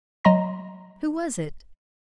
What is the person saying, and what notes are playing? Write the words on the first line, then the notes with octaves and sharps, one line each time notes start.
"Who was it?"
F#3 D#5 A#5 C6 A#6